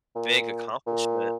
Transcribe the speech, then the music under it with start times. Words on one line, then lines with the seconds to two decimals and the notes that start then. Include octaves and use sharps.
big accomplishment.
0.15 A#2
0.87 A#2